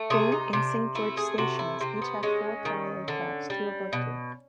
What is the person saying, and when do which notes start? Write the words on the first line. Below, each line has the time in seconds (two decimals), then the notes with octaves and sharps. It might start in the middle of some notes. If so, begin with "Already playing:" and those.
Bay and Saint George stations each have four parallel tracks, two above two.
Already playing: A3
0.10 C3 G#4
0.32 D#4
0.53 C3 D4
0.95 A3 E4
1.17 G#4
1.38 C3 F#4
1.59 E4
1.81 C3 C4
2.02 B3
2.23 G#3 C#4
2.65 D#3
3.08 D3
3.50 G3
3.93 B2